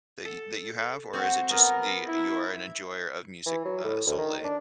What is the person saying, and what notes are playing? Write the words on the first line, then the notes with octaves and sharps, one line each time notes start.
that y that you have, or is it just the you are an enjoyer of music, uh, solely?
A4
C4 F#4
B3 A#4
E4
E3
F#3
A2
D2
D#3
D4